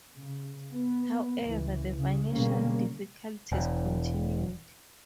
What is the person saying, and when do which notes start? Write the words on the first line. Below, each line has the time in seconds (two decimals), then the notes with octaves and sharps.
However, the financial difficulties continued.
0.15 C#3
0.73 B3
1.43 C#2 E3
1.98 C#3
2.31 B2 D3 G3 G#3 A#3 C#4
3.52 E1